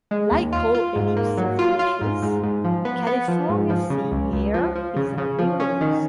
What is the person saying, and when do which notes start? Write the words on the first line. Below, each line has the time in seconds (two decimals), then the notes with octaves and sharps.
Like all "Aplysia" species, the California sea hare is herbivorous.
0.11 G#3
0.31 D#2
0.52 F4
0.74 F4
0.96 G#2
1.16 A#3
1.38 F#3
1.59 F4
1.79 F4
2.01 G#2
2.22 G#2
2.43 G#2
2.64 F3
2.85 B3
3.07 B3
3.28 F3
3.49 G#2
3.70 F3
3.90 C#3
4.12 C#2
4.33 C#2
4.54 F3
4.75 F3
4.96 C#3
5.18 C#3
5.38 F3
5.60 C#4
5.81 D#3